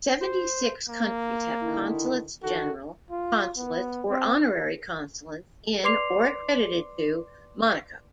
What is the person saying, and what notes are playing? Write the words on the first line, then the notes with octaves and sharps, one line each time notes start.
Seventy-six countries have consulates general, consulates, or honorary consulates in or accredited to Monaco.
C5
A#3
D3 D#3 E4
D3 D#3 F#4 A4
F4
B3
C4
B4 D5 C6 D6 C7 F7